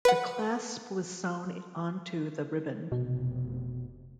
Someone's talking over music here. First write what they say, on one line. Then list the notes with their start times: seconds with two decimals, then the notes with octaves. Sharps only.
The clasp was sewn onto the ribbon.
0.05 B4 F#5
2.92 F1 B2